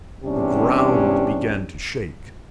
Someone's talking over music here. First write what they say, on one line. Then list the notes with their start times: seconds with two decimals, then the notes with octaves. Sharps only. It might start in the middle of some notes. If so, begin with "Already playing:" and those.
The ground began to shake.
0.24 E2 C3 G3 C#4 D4 G4